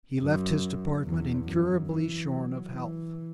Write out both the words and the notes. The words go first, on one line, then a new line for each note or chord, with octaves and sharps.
He left his department incurably shorn of health.
F#2
E2
F#2
E3
F#3
E3